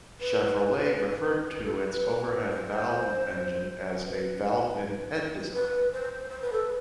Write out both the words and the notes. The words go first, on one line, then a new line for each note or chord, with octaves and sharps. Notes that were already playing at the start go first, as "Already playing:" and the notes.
Chevrolet referred to its overhead-valve engine as a "valve-in-head" design.
B4
B4
B4
B4
A4
B4
C5
B4
B4
C5
C5
B4
A4
B4